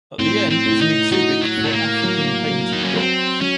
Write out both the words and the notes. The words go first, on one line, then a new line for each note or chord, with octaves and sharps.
At the end is an exhibit for African painted dogs.
A2 C4
C4
A2
D#4
D#4 F#4
F#3
A2
A3
A#3
F#3
F#3
D#4
C#4
F#3 C4
F#3 C#4